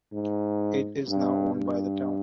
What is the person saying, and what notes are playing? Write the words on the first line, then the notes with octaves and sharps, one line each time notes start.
It is now owned by the town.
G#2
G2
G2